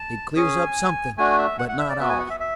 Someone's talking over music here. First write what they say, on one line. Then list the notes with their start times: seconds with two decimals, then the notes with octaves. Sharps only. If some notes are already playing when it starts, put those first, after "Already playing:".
It clears up something, but not all.
Already playing: A5
0.36 C#4 G#4 G#5
1.18 A3 D4 F#4 G#5
1.38 E5
1.59 F#5
1.69 F#5
1.79 E5
1.89 D5
1.99 B3 F#4 E5
2.09 G#5
2.20 F#5
2.30 E5
2.40 E5